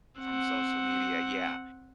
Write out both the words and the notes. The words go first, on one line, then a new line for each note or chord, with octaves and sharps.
from social media, yeah,
C4 F#5